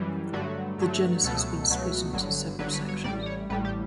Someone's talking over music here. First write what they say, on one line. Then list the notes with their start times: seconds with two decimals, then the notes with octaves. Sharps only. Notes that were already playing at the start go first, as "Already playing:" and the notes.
The genus has been split into several sections.
Already playing: F#2 E3 G3
0.33 G2 D3 F#3 A3 F#4
0.78 G2 D3 F#3 A3
1.24 C#2 B2 F#3 A3 A4
1.68 C#2 B2 F#3 A3
2.13 G1 G2 D3 F#3
2.59 G1 G2 D3 F#3 B4
2.73 B4
2.89 C#5
3.04 A1 A2 G3 D5
3.26 C#5
3.50 A1 A2 G3 B4
3.65 G4